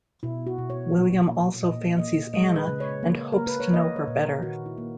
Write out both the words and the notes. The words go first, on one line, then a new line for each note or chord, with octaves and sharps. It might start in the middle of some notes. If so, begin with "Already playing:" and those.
William also fancies Anna and hopes to know her better.
B2 E4
F#4
B2
C#5
A#2
A#3
A#2 D#5
A#3 D#5
G#3 D#5
B4
C#3
C#5
A#3
A#4
A#3
B4
C#5
A#3 D#5
C#5
A#2
A#4
D#3 F#4
E4
A#3